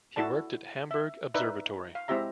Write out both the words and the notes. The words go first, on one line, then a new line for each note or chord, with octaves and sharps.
He worked at Hamburg Observatory.
E4 F#4 A4 D5 A5
E5
D#4 A#4 B4 D5 E5
F5
G#3 C4 E4 G4 E5 A#5